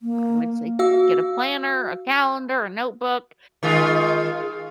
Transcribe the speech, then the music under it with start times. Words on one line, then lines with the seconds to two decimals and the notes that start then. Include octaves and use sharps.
I would say, get a planner, a calendar, a notebook,
0.01 A#3
0.79 F#4 F5 E6
3.63 D#3 G#3 F4